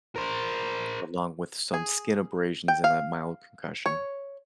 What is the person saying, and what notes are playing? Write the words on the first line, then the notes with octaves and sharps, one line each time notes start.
along with some skin abrasions and a mild concussion.
A#4 C5
G#4
G5
F5
C#5